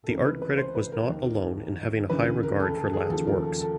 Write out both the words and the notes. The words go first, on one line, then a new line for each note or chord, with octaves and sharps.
The art critic was not alone in having a high regard for Lat's works.
A4
C#2 C3 E3 A#4
B4
B4
C5
B4
A#4
D#2 D#3
D2 C#3 E3 B4
A#4
A4
A4
G#4
D#2 C#3 F3 A4
A#4
A4
A4